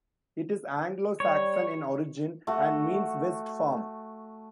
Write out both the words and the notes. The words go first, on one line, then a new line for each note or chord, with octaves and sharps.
It is Anglo Saxon in origin and means 'west farm'.
G3 C#5
A3 F#4